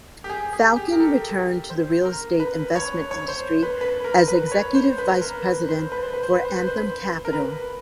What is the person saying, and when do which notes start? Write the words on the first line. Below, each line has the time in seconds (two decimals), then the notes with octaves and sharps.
Falcon returned to the real-estate investment industry as executive vice-president for Anthem Capital.
0.24 G4
0.30 G#4
0.53 G#4
0.76 G4
0.92 A#4
1.00 A4
1.70 C5
2.05 A#4
2.40 B4
2.76 C#5
3.11 C#5
3.28 C5
3.63 B4
3.81 B4
4.04 A#4
4.28 B4
4.52 C#5
4.75 C5
4.98 B4
5.11 B4
5.21 A#4
5.45 B4
5.69 C5
5.92 B4
6.03 C5
6.13 B4
6.23 C5
6.35 B4
6.45 C5
6.57 B4
6.67 C5
6.77 B4
7.25 A#4
7.33 B4